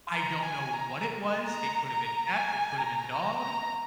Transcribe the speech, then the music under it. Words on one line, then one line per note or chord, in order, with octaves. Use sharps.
I don't know what it was, it could've been cat, it could've been dog,
A#5
G#5
A#5
A#5
A#5
G#5
A#5
A#5
A#5